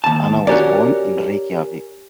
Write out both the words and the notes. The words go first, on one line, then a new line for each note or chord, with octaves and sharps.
Anna was born in Reykjavik.
D#2 A5
C#4 F#4 G4 A#4 D5